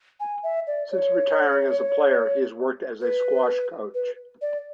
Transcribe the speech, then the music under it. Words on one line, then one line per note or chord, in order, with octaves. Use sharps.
Since retiring as a player, he has worked as a squash coach.
G#5
E5
D5
C#5
B4
B4
D5